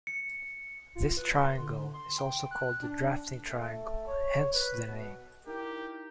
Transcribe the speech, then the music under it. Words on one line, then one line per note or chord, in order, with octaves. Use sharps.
This triangle is also called a drafting triangle, hence the name.
C#7
F4
B4
C6
D3
C6
G5
F#6
D4
A3
C#5
B4
B2
D#4 E4 G4 A#4 G5